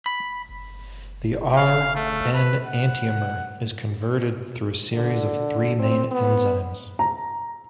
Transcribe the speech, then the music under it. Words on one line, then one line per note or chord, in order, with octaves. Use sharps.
The R-enantiomer is converted through a series of three main enzymes.
B5
F5
A3
B4
F#5
D3
C4
B3
A#5